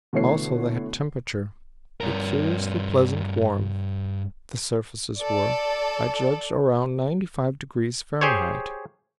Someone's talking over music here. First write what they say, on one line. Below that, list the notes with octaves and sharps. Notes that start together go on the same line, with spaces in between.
Also they had temperature, a curiously pleasant warmth--the surfaces were, I judged, around ninety-five degrees Fahrenheit.
B2 D3 E3 A3 C#5 C7
G2 A#4
A4 D5
G4 G#4 C5 C#5